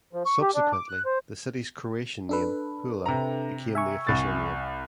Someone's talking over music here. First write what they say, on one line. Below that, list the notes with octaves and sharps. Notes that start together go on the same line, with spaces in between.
Subsequently, the city's Croatian name, Pula, became the official name.
F3
C#6
G4
D4
D6
F#6
C5
D4 A4 B4
C3 A#5
E5 G#5 C#6
C2 A6